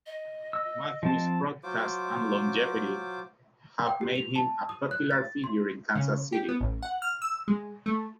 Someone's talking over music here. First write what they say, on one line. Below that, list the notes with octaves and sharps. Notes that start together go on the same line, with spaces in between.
Matthews' broadcasts and longevity have made him a popular figure in Kansas City.
D#5
E6
F3 C4 A5
F#3 F4 C5 D6
G5
G4
F7
A5
D#6
F#6
A6
C6
C#3
G4
B3
A1
F#5
F6
E6
G#3
A3